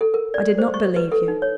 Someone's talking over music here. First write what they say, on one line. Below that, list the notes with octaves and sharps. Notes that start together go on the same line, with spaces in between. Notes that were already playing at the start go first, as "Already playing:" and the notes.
I did not believe you.
A4
A#4
D5
C5
C#6
B4
A4
D#4
C#5